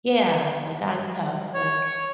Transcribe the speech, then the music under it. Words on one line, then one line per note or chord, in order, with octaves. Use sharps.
yeah, like, "I'm tough," Like,
C#5